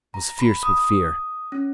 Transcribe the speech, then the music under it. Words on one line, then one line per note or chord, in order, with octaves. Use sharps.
I was fierce with fear.
A#5
B5
D#6
C#4